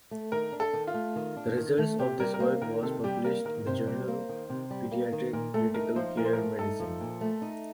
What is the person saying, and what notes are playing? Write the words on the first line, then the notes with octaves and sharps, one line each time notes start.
The results of this work was published in the journal "Pediatric Critical Care Medicine".
A3
D#3 A#4
D4
A4
D#3
F4
A3
D#3
D4
D#3
A3
C3 G4
G3 A#4
A#4
A#3 C5
D#3 A#4
C3 A4
G3 G4
A#3 A#4
D#3 A#4
C3 C5
G3
A#3
D#3
C3
G3
A#3
D#3
A#2 A#4
A3 A4
D#4 A#4
F3 C5
A#2 A#4
C5
A3 A#4
D#4 A4
F3
A#2
A3
D#4